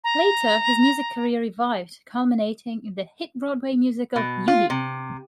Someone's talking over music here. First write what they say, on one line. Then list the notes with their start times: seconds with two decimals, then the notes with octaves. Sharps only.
Later his music career revived, culminating in the hit Broadway musical, "Eubie!".
0.04 A#5
4.16 B2
4.48 F4
4.70 C3